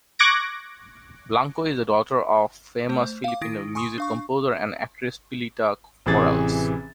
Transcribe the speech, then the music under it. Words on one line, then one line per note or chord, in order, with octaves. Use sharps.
Blanco is the daughter of famous Filipino Music composer and actress Pilita Corrales.
C#6 D6 F#6 G#6 A#6 D7
A3 C5
F5 D6
D#3 E4 D#6 A#6 D7
G#5 C6 C#6 D#6
D4 F5 C#6
A1 C3 E3 G#4 A6